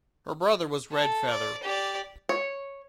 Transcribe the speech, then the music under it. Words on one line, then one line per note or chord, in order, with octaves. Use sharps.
Her brother was Red Feather.
A4
D5
G4 D5
C#5